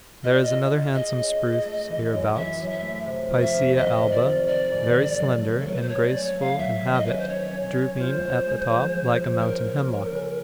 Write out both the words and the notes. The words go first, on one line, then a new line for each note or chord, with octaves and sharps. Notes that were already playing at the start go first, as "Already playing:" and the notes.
There is another handsome spruce hereabouts, Picea alba, very slender and graceful in habit, drooping at the top like a mountain hemlock.
F4 D#5
D5
D#5
F4
F4
G#4 D#5
C#4
G#4
A3
E3
F#2
E3 E5
F#2
E5
A3
C3
F2
E5
F2
D#3 D#5
C3
D5
F2
D#3 D5
G#2
D#3
F#3
A3
A4
F#3 A#4
B4
C5
A3 C#5
D5
C#4
C#5
A3
F5
F#3 E5
D#3
D#5
C#4 B4
C5
C#4 C#5
C#4
C#4
F4 C5
C#4
G#3
F3
F3
F3
C#4 A#4
A#3
C#4
C#3